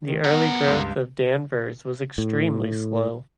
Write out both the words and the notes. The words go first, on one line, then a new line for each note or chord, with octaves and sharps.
The early growth of Danvers was extremely slow.
D#3
B3 A#4 F#5
C#2 G2
A2